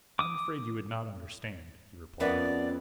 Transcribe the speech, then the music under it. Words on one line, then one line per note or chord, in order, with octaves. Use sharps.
"I am afraid you would not understand," he replied.
D6 D#6
F2 B3 C#4 A#4 D5 E5 F#5